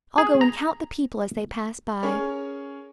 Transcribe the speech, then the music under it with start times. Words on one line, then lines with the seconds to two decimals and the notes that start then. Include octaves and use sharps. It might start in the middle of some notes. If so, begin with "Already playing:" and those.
I'll go and count the people as they pass by.
0.18 G#4
0.41 A#5
2.03 C#4 G#4 A#4 C#5